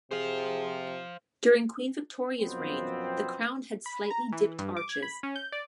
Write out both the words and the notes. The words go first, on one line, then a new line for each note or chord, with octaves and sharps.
During Queen Victoria's reign, the crown had slightly dipped arches.
C3 G#4 C5 F5
F#2 B2 F3 B3 C4
B5
A#5
E3
G2
D6
G#6
B5
C#4
G6
D5